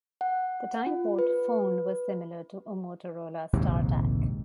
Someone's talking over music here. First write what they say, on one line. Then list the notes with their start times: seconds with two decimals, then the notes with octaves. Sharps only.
The Timeport phone was similar to a Motorola Startac.
0.21 F#5
0.86 F4
1.19 B4
3.53 A#1 D#2 G#2 C3